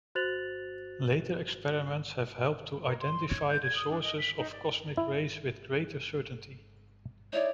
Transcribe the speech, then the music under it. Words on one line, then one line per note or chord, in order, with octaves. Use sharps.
Later experiments have helped to identify the sources of cosmic rays with greater certainty.
F#4 C5 F#6 A6 F7 F#7
A#4
C6
C#5
G6
G#6
D#6
D4
D#5
B6
D#4
D5
E4
D#4 E4 C#5 D5